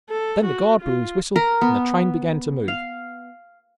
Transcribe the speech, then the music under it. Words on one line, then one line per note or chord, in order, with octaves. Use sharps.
Then the guard blew his whistle and the train began to move.
A4
F#4
F4
A#4
B3
F5